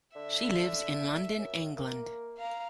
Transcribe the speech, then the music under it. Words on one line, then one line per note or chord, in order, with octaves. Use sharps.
She lives in London, England.
D3 E5
F#2
A#3
F5 A#5